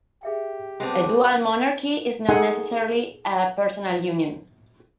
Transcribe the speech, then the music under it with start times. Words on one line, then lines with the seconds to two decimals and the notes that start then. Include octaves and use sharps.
A dual monarchy is not necessarily a personal union.
0.23 G4 G#4 E5 G5
0.80 G3 G#3 B3 C4 A5 D6
2.29 D#4 G#4 A4 F#5 G#5 C6